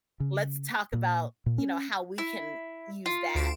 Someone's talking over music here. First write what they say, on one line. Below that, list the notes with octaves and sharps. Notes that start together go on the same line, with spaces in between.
"let's talk about," you know, "how we can use that,"
C#3
A#2
A#2
C#4
E4
F4
D2 D7 E7